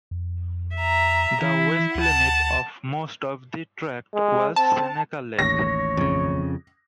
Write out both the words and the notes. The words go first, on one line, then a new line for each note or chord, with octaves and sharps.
The west limit of most of the tract was Seneca Lake.
F2
E5 A#5
E3 E4
D2 F#5 A5
G#3
C4 A5
A1 D#2 C#5 A#6
F2 C#3